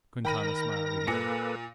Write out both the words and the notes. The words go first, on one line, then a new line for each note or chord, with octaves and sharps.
Quintana smiled again.
D#3 A#4 G5 B5 A#6 D#7
A#2 A#3 A4 B4 A#6 C#7